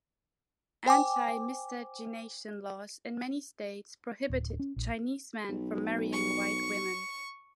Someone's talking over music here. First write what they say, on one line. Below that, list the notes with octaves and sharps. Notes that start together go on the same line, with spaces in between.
Anti-miscegenation laws in many states prohibited Chinese men from marrying white women.
C5 G5 G#5 D6
D1
C#4
A#1
B1
C#6